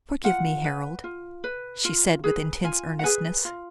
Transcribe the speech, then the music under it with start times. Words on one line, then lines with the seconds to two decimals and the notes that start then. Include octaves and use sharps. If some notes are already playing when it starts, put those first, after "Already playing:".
"Forgive me, Harold," she said, with intense earnestness.
0.24 F4 F#5
0.64 B4
1.04 F4
1.44 B4
1.85 F4
2.24 G#4 B4
2.64 F4 G#5
2.99 F#5
3.04 G#4 B4 G#5
3.45 F4